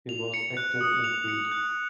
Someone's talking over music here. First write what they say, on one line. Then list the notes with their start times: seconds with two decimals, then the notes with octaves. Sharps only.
He was active in Crete.
0.09 F7
0.34 C#7
0.57 F#6
0.81 D#6
1.04 F7
1.28 C#7
1.52 F#6